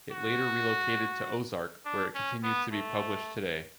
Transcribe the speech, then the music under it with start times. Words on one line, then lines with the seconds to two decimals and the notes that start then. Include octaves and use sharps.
It later relocated to Ozark, where it continues to be published today.
0.12 F#4
1.85 D4
2.15 C#4
2.43 B3
2.72 A3